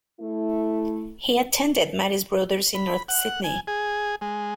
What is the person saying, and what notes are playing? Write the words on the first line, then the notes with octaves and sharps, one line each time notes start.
He attended Marist Brothers in North Sydney.
A3 E4
B5
F#5
G#5
G#4
G#3